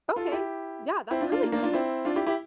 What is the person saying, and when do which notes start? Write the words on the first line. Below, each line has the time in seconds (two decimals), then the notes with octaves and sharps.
Okay. Yeah, that's really nice.
0.16 F4 A4
0.32 E4 G4
1.11 C4 E4
1.21 D4 F4
1.32 D4 F4
1.42 A#3 D4
1.52 A#3 D4
1.63 D4 F4
1.73 C4 E4
2.05 D4 F4
2.16 E4 G4
2.27 E4 G4